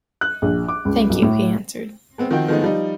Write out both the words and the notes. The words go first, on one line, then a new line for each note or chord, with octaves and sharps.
"Thank you," he answered.
F#6
A#1
D6
C#2
B1
A2
G#3 B3 C4
D#3 F3 C4 F#4 G5
D#3 F3 G#3 A3 B3 D#4
F3 G3 D#4